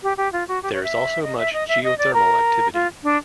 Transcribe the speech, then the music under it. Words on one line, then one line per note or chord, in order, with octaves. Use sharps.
There is also much geothermal activity.
G4
G4
F4
F#4
G4
C#5
E5
D#5
E5
D#5
E5
D#5
D5
A#4
F4
D4